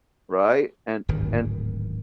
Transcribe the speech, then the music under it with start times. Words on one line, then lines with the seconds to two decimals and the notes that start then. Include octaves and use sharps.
right? And and
1.09 D1 G#1 G2 D#3